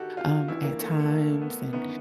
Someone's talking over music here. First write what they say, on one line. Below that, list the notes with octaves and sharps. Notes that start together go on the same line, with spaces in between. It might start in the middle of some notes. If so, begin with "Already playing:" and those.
um, at times, and
Already playing: G#1 D#3 F#4 G4 A4
F4
A1 G2 E3 E4
A#3
A3
A3
A#3
B3
G1 F#2 D#3 B3